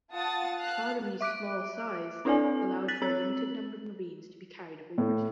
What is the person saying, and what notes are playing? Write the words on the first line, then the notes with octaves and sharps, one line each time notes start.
Triremes' small size allowed for a limited number of marines to be carried aboard.
F4 F#5 A5 D#6 A6
F5 A5 F#6
E5 D6 F#6 D7
C4 D4 E4 A4 D5 G#5
F#6 A6 B6 F#7
C4 C#5 E6 F#7
A2